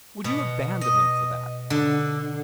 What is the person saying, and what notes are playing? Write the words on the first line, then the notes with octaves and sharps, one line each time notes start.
Would you abandon them for that?
B2
D#5
D3